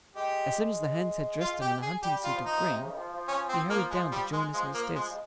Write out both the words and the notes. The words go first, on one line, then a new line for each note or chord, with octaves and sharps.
As soon as the hands had dressed him in a hunting-suit of green, he hurried down to join his hostess.
G#3 G4
F4
G4
G#4
G3 G4
F4
F3
D#4
C3
C#3
D#3
F3
F3
C#4
C4
A#3
G#3
G3
G#3
F3 G#3
A#3
G#3
G#3